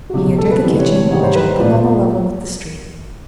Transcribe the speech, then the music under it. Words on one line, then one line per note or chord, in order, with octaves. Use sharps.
He entered the kitchen, which opened on a level with the street.
F#4
C#2 B2 F#3 G4
A4
B4
D2 C3 E3 G3
C#5
C#5
G#2 D#3 G3 C#5
C5
B4
C5
A#2 F3 D5